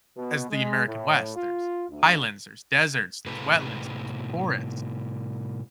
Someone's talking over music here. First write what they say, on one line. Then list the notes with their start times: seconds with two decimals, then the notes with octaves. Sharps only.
as the American West. There's highlands, there's deserts, there's wetlands, there's forests.
0.17 B2
0.50 G#3
0.87 A2
1.36 F4
1.90 D2
3.26 A2 C3 A4 B4